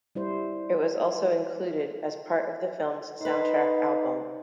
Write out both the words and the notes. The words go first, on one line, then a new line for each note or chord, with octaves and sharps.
It was also included as part of the film's soundtrack album.
G3 E4 C5
D#4 B4 C5